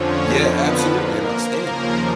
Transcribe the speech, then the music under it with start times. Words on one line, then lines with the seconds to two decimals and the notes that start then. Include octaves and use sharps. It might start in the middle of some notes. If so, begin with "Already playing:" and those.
Yeah, absolutely, and I stand on 'em.
Already playing: F2 D3 F3 C#4 C#5
0.36 B3 B4
0.91 A#3 A#4
1.47 D#2 C#3 F3 A#3 A#4